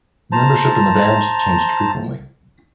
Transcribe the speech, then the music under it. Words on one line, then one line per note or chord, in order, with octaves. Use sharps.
Membership in the band changed frequently.
C5 A5 A#5